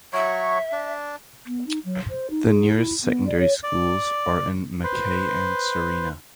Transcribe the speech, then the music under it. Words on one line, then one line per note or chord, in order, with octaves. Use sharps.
The nearest secondary schools are in Mackay and Sarina.
F#3 F#4 C#5 E5
D4
B3
D#4
F#3
C5
D#4
G#4
E4
B3
D5
C#5
D5
B4 C5